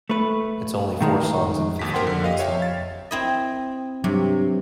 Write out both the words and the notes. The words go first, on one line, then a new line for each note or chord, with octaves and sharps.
It's only four songs and fifteen minutes long.
A3 B4
A2 D#3 G#3
G1 D#2 B6
A#3 A#4 C5 F#5 G5 C6
D3
G4 D#5 F5
C#5 E5 F5 G5
A6
C4 E4 D#5
G2 C3 F#3